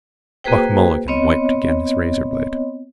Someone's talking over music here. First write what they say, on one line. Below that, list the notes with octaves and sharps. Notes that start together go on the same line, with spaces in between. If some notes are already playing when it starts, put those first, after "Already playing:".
Buck Mulligan wiped again his razorblade.
A#3 F#4 G#4 B4 C5 G5
B3 C4 C#5 D#5